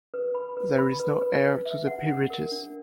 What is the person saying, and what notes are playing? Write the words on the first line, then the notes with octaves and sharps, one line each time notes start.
There is no heir to the peerages.
B4
B5
B4
B5
B4
B4
B4
E5
F#5
F#5
A#4
D4